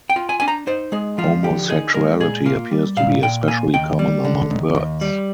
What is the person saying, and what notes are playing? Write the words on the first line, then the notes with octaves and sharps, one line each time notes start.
Homosexuality appears to be especially common among birds.
G5
F4
G#5
D4 G#5
A#5
D#4 C5
G#3 G#4
F3 F4
D3 G4
D#4 G#4
G#3 A#4
A#2 G#4
A#3 F4
G3
A#2 F5
A#2 G5
A#3 G#5
D#2 G5
G3
D3
D#2
D#2
G3